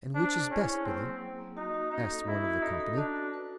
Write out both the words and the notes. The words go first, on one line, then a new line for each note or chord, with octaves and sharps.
"And which is best, Billy?" asked one of the company.
D4 C5
G#4
C#4 E4
G#4
A#3 C4
F#3
F#3
A#3
D#4 F#4
F#4
C#4 D#4
A4
C#4 E4
F#4
D#4 A4
A4
D4 F#4
F#4
B4